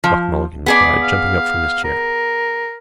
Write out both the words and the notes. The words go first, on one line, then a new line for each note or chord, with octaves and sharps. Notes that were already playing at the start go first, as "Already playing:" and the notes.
Buck Mulligan cried, jumping up from his chair.
F3
B3 G#4 D5
F5
A#4